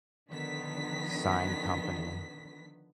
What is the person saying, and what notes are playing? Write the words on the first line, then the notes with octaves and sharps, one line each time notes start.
Sign Company.
D3 D#3 F3 B3 B6